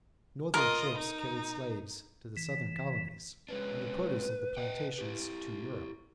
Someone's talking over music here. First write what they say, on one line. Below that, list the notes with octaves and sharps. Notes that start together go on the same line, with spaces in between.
Northern ships carried slaves to the Southern colonies and the produce of the plantations to Europe.
F4 A#4 D#5
D#4
E3
G#3 C#4 D4 B4
D#5 F#5 G5
E4 G4